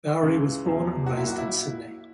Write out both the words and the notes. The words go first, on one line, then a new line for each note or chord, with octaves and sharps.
Bowrey was born and raised in Sydney.
C#2 C#3 E3
E2 B2 F#3
A#2 F#3 F#4
E4
F#4
E4